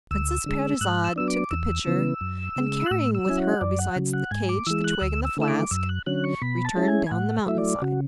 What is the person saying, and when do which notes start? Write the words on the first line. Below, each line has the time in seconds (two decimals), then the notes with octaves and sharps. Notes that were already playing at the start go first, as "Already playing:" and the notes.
Princess Parizade took the pitcher, and, carrying with her besides the cage the twig and the flask, returned down the mountain side.
0.11 D2 E6
0.46 D3 G#3
0.81 G#2 F#6
1.04 E6
1.16 F#3 B3 D4 E6
1.28 D6
1.51 E2 E6
1.86 C#3 E3 B3
2.21 F#2
2.56 C#3 G#3
2.86 F#6
2.91 A2 E6
3.15 E6
3.26 F#3 C#4 E4 G#5
3.38 F#5
3.61 F#2 D5
3.79 F#5
3.96 C#3 F#3
4.13 F#5
4.31 G#2 G#5
4.49 D6
4.66 E3 G#3 E6
4.84 F#6
5.01 D2 E6
5.25 E6
5.37 D3 A3 E4 E6
5.48 D6
5.71 F#2 E6
5.89 F#6
6.06 D3 F#3 C#4 F#6
6.24 C#6
6.42 B2 B5
6.65 A5
6.76 G#3 C#4 E4
6.88 G#5
7.07 G#5
7.11 A2 F#5
7.46 F#3 A3 E4 E5
7.58 D5
7.82 C#3 F#4